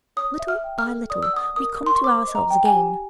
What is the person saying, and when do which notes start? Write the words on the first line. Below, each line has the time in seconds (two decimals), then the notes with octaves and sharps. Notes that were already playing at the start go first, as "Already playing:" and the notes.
Little by little we come to ourselves again.
0.17 C#5 D#6
0.39 E5
0.48 F6
0.64 G5
0.79 F6
0.86 A4
1.10 D5 D#6
1.23 E6
1.33 F#5 D#6
1.56 A#4 D#6
1.80 A#4
1.86 C6
1.95 C#6
2.03 C5 D6
2.27 D#5
2.35 A#5
2.50 G5
2.65 G#5
2.73 G4